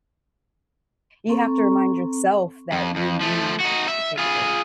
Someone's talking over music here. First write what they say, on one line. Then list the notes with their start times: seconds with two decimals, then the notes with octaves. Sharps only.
you have to remind yourself that you need to take a break.
1.29 C4 A4 A#5 C#6
2.72 F2
2.96 F2
3.21 F3 A3
3.60 D#4 F#4
3.88 E5
4.18 F4 G#4